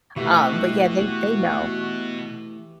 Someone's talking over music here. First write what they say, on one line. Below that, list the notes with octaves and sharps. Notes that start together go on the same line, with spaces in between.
Um, but, yeah, they they know.
B2 E3 A3 F#4 G4 E5 G5